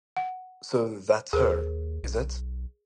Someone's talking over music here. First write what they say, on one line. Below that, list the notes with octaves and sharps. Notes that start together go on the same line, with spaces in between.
So that's her, is it?
F#5
D#2 G#4 A#4 C5
B1